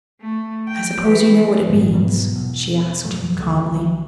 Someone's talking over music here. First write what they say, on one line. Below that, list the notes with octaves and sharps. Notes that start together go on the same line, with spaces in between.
"I suppose you know what it means?" she asked him, calmly.
A3
G5
E3
D#1 G#1
G#2 B2 F#3 B3
E1 E2
E1 F#2 F#3 A3
C#2 A3
C2 D#3 F#3